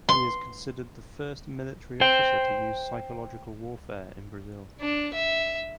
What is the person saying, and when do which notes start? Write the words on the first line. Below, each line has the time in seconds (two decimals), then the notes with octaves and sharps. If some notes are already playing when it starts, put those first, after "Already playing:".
He is considered the first military officer to use psychological warfare in Brazil.
0.09 C6
2.01 C5 G5
4.81 D4
5.13 E5